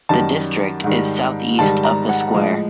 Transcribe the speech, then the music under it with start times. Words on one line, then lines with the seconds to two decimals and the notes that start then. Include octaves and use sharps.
The district is southeast of the square.
0.09 F#2 D#3 G3 A5
0.84 G#2 D#3 G3
1.59 G#2 D#3 G3 A5
1.84 A#5
2.09 F#5
2.33 A2 F3 G#3